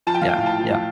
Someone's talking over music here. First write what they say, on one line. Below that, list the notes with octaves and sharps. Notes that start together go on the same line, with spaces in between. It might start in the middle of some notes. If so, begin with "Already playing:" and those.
Yeah, yeah.
F3 A5
G5
F5
G5
A2
A5
F3